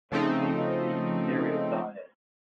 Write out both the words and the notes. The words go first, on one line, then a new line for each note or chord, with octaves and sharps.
Opening of the Imperial diet.
C#3 F3 A3 C4 D#4